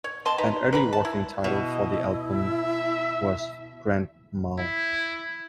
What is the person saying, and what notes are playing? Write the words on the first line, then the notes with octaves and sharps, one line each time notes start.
An early working title for the album was "Grand Mal".
C#5
C4 D#5 A5 C6
D#4 B4 A#5
B4 A#5 B5
A5
E4
B2 E4 D#5
E5
E4